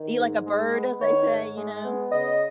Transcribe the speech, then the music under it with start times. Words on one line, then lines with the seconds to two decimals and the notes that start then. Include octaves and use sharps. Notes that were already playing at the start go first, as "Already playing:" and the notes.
Eat like a bird, as they say, you know?
Already playing: D#3
0.18 G#2
0.45 G#3
0.73 B3
1.01 D#3 C#5
1.29 G#2
1.57 G#3
1.83 B3
2.11 C#3 D#5